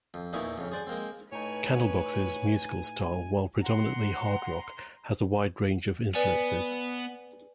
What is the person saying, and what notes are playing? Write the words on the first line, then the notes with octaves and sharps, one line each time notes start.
Candlebox's musical style, while predominately hard rock, has a wide range of influences.
F2
E2 A#2 D#4 E4 D#5 C#6
F2 C#3
G#4 C5 D5 F#5 G#5
G#3 A#3 C4
A2 D#4 B4 C#5 G#5
F#5 A#5 C6
B3 B4 D5 G#5